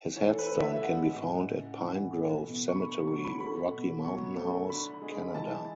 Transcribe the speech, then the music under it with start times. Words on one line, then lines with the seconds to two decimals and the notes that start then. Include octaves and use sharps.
His headstone can be found at Pine Grove Cemetery, Rocky Mountain House, Canada.
0.16 E3 C#5
0.28 A4
0.39 B4
0.49 A3
0.59 E5
0.81 G#3 F#5
1.14 A2
1.46 C#3
1.79 E3
2.11 A3
2.43 B2
2.68 C#6
2.75 D3 B5
2.92 C#6
3.08 F#3 C#6
3.24 B5
3.40 A3 B5
3.72 B2
4.04 F#3 C#6
4.36 A3
4.69 D3 B5
5.02 G#3
5.35 E3 A5